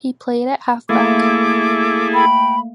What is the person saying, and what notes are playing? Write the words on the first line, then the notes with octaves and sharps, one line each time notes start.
He played at Half Back.
A3 A#3 E4 G#4 A4 D6
G5 B5